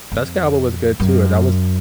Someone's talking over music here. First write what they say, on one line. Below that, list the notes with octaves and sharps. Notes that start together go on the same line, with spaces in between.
Jessica Alba was good too. Uh, that was
F2
F#2